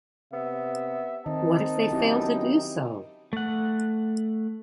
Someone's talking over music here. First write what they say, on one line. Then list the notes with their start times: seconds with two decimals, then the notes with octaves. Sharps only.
What if they fail to do so?
0.33 C3 B3 E5
1.26 D#3 C4 D#4 A5
1.91 F#2 C4 E4 G4
3.33 A3 F#5